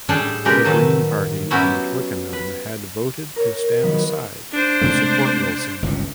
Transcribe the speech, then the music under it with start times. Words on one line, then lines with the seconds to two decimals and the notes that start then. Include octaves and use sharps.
The Green Party in Twickenham had voted to stand aside to support Wilson.
0.09 A2 G3 D4 G#4 G5 A5
0.45 C#3 G#3 D4 G4 A#4 B4
0.64 A2 D#3 E3 F#3 A5
1.50 F#3 B3 C#4 E4 F#4 G4
2.33 B4
3.36 A#4 C#5
3.83 D#3 F3 F#3 B3 B4 D#5
4.52 D4 C5
4.81 C3 G#3 A3
5.82 G1 C#2 G2